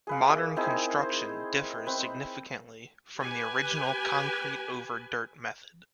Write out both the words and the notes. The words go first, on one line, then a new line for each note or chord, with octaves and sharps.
Modern construction differs significantly from the original concrete-over-dirt method.
G#4 B4 F5
A#4 D5 E5
C4 D#4 E4 G#4
C5
C4 B4
G4 B4 G#5